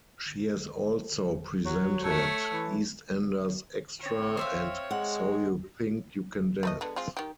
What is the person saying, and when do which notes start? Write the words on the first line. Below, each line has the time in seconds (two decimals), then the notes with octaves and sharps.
She has also presented "EastEnders Xtra" and "So You Think You Can Dance".
1.66 F#3 C#5
2.03 A3 A4 C#5
2.53 E3
4.00 C4 C#5
4.37 C5 E5 F5
4.91 G#3 F#5
6.63 A3 B4 D#5
6.81 D3 G#3 B3
6.96 G#3 C4 F4
7.17 D#3 G4